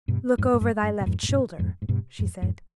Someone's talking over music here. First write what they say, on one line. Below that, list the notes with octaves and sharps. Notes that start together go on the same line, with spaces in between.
"Look over thy left shoulder," she said.
G2 B2
F2 G#2
G#2
G2
G2
B2
F2 G#2
G#2
G2 B2
F2 G#2
G#2
G2 B2
F2 G#2
F2 G#2